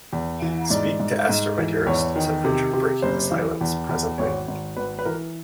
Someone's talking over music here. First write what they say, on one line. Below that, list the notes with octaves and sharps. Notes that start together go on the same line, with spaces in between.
"Speak to Esther, my dearest," said Richard, breaking the silence presently.
E2
E3
G#2 D5
G#2
G#2
E3
E2 C#5
D#3
C3
C3
F#1 C5
E3
E2
E2
G#1 C#5
G#1
G#1 B4
B4
E3 A#4